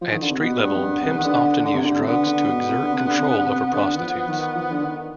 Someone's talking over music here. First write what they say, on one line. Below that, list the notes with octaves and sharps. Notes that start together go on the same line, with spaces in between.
At street level, pimps often use drugs to exert control over prostitutes.
F3
D#3
D3
C3
B2 B3
G2
F2
G2
C3
D#3
D3
D3
C3
D3
C3
D3 B3
D3
B2
C3
D3
C3
D3
C3
D3
C3
D3
D#3
F3
D#3
F3
D3
D#3